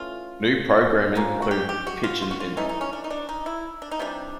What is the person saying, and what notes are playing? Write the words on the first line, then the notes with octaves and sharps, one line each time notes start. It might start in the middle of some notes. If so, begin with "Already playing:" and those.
New programming included Pitchin' In.
Already playing: E3 A3 C#4 F4
F3 A#3 C#4
F#4
G4
G4
F#4
F4
F4
F#4
F4
E3 A3 C#4 D#4
D#4
C#4
D4
D#4
D4
D#4
E4
D4
D#4
C3 E3 G3 D4